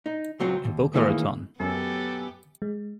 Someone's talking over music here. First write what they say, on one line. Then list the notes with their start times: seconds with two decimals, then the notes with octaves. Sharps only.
In Boca Raton.
0.06 D#4
0.40 C#2 F#3 C4
0.64 D#2
0.93 A2 D#3 E3 G#3 A#3
1.60 F#2 B3 C#4 G4 A4
2.62 G#3